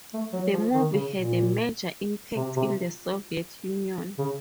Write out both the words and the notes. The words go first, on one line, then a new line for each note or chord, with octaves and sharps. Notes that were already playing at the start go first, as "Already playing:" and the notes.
The movie had a major impact in the Soviet Union.
A3
F#3
F3
D#3
C#3
A#2
C3
C3
C#3